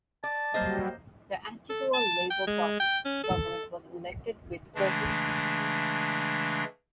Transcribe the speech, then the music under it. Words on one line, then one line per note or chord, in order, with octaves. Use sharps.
The Antigua Labour Party government was elected with fourteen seats.
D5 A5
F#3 G3 A#3 C5 D#5
A4
A5
G5
G#3
G5
C#4
A4
C#3 E3 G#3 A3 D4